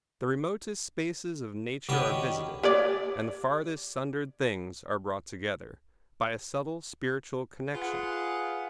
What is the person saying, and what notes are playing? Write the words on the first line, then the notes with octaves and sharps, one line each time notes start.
The remotest spaces of nature are visited, and the farthest sundered things are brought together, by a subtle spiritual connection.
D#3 C#4 D4 F#4 G4 B4
G4 C#5 D5
F4 G#4 B4 F5 F#5